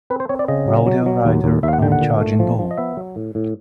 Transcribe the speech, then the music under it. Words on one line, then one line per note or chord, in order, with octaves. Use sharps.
Rodeo rider on charging bull.
C4 B4
C5
C4 C#5
D5
C#3 D#5
F#3
F#3
F#3
D#2
D#2
D#2 E5
F5
F#5
D3 G5
F#5
A#2
A3
F3
F3
D#5
B3 E5
F#3
A2
A2